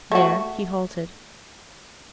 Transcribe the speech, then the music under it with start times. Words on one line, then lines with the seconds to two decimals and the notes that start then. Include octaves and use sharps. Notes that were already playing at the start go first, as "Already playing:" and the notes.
There he halted.
0.12 A3 F#4